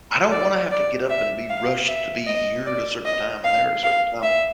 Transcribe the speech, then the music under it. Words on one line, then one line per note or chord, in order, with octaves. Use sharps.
I don't wanna have to get up and be rushed to be here at a certain time and there at a certain time.
D5
D5
E5
F5
E5
D#5
D5
D#5
F5
F5
E5